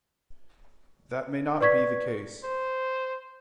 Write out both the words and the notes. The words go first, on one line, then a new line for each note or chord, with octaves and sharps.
That may not be the case.
B4 D5 C#6 G#6 B6
C5